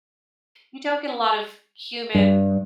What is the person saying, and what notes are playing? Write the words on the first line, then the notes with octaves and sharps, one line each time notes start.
you don't get a lot of human
G2